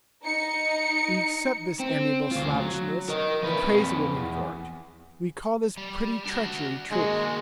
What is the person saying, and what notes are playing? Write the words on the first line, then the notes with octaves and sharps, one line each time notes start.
We accept this amiable slavishness, and praise a woman for it: we call this pretty treachery truth.
D#4 C#7
C4
D2 F4
F#3
A#4 D#5
F2 B4
E2
G3
D4 F#4
D#3 G#3 A#3 F#4